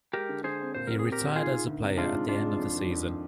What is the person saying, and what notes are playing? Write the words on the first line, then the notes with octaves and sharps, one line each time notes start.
He retired as a player at the end of the season.
G#3 G4 A#4
D3
D3 G#4 C5
C4
A#2 C5
C4 A#4
G#4
C4
G4 A#4
A#2
D#3 F4 G#4
D#3
D2
C3
G#3 D4 F4
G#2
G#2 D4 F4
G#3
F2
D#3
F2